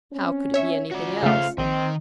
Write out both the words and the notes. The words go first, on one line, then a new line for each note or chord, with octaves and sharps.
How could it be anything else!
C4 C#4
C#5 E5
C#4 F4 F#4 D5
C#3 A3 A4 C5 F5
A#1 D#3 C4 D#5